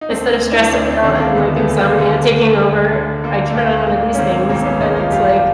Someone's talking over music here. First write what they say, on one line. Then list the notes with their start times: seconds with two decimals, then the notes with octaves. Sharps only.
Instead of stressing out and, like, insomnia taking over, I turn on one of these things, and it's like
0.01 D#4
0.10 D2 C4 D4
0.41 D2
0.52 D4 E4
0.63 D4
0.72 D2 C#4 D#4
0.88 C4 D4
1.04 D#3 C4 D4
1.20 A#3 C4
1.35 D3 A3 B3
1.56 A3 B3
1.67 D#2
1.77 A#3
1.98 D3
2.30 D3
2.61 D2
2.92 D3
3.24 D3 A#3
3.50 A3
3.55 D2 A#3
3.87 G#2 A#3
4.14 C#4
4.18 D#3 A#3 C4
4.50 G#1 A#3 C4
4.65 B3 C#4
4.81 G#1 C#4 D#4
4.96 D#4 F4
5.12 F#1 F4 G4